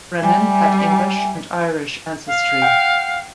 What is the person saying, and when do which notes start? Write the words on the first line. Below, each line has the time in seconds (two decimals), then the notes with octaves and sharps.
Brenan had English and Irish ancestry.
0.22 G3 E5 G5 G#5
2.27 F5
2.62 F#5 G5